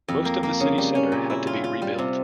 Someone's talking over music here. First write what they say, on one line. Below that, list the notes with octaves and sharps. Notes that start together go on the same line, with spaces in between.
Most of the city centre had to be rebuilt.
F2
A#3
A#3
C#3
G3
C#4
A#2
E4
F4
F4
G3
C3